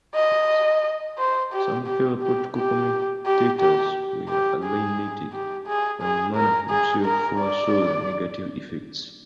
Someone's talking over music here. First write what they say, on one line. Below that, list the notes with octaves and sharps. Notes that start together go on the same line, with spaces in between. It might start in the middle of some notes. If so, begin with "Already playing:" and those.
Some fellow political commentators were alienated, and Mann himself foresaw the negative effects.
D#5
C5
G4
G4
G4
G4
G4
G4
G4
G#4
G4
G#4
G#4
A#4
G#4
A#4
D5